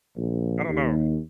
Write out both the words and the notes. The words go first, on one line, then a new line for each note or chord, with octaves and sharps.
I don't know.
A#1
D#2